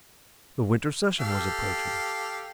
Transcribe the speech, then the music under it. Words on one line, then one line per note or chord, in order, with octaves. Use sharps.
The winter session was approaching.
G4 A4 F5